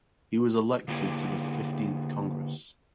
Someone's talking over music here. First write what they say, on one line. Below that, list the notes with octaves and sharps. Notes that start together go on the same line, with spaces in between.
He was elected to the Fifteenth Congress.
D3 A#3 B3 E4 G4